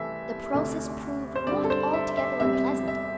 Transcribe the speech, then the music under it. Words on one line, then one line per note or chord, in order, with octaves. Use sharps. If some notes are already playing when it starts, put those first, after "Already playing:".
The process proved not altogether unpleasant.
Already playing: C2 C3 E3 A3 C4 E5
D2 C3 A3
C5
G2 D3 G3 C4 D5
A4
C5
E5
E5
E2 C3 G3 C4 E5
E5